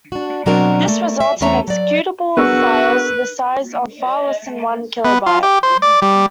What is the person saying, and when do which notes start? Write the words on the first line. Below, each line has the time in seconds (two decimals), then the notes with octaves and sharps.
This results in executable files with a size of far less than one kilobyte.
0.12 D4 F#4
0.46 B2 F#3 C4 D4 F#4 A#4
0.88 A3 A#3
1.20 E5
1.41 E2 A3 C#4 C#5 E5 A#5
1.67 F#3 D5
2.37 B3 D4 F#4 G#4 A#4 B4 C#6 E6
5.05 B3
5.26 F4
5.43 G4
5.63 C5
5.82 D5
6.02 G3